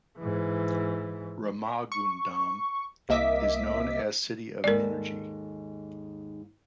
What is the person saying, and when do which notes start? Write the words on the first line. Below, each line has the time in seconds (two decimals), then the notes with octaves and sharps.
Ramagundam is known as city of Energy.
0.19 G#2 E3
1.92 C#6
3.09 C2 A#3 D#5 E5 D6 B6
4.64 D#2 G#2 A4 A#4 D5